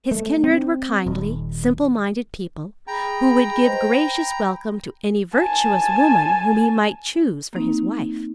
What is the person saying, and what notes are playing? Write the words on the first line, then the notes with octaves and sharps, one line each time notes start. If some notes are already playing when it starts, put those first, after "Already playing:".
His kindred were kindly, simple-minded people, who would give gracious welcome to any virtuous woman whom he might choose for his wife.
A3
C4
D#1
G#4 G5 A#5 B5
B4 C5 D#5
B5
G#5 A5
A#3 C4 D#4